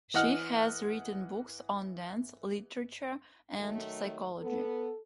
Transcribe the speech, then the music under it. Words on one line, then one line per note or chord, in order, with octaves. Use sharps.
She has written books on dance, literature, and psychology.
E3 D#5 F#5 F6
D#3 F#3 A3
B3 A4